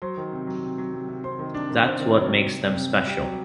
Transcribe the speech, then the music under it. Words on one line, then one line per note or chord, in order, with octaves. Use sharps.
That's what makes them special.
F#3 C5 C6
D#3
C3
F#3
C3
F#3
C3
C3
C3 C5 C6
D#3
C3 D4 D5
D#3
C3 C4 C5
D#3
F#3 A#3 A#4
D#3
C3
C3
C3
C3
C3 G3 G4
F#3